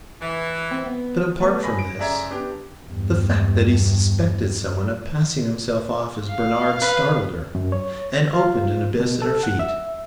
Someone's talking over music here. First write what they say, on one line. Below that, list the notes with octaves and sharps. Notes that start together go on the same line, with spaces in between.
But, apart from this, the fact that he suspected someone of passing himself off as Bernard startled her, and opened an abyss at her feet.
E3
C4
B3
A3 B3
G#5 B5 A#6
D7
F#1 G#4 D5 E5 A#5 G#6
B3 D4 G4
E2 G2
F5
B4
F#2
C#5
F4
B2
A4
F#5
E5